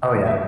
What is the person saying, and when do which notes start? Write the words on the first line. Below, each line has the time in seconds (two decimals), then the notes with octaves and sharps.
Oh, yeah.
0.14 D#3
0.27 E5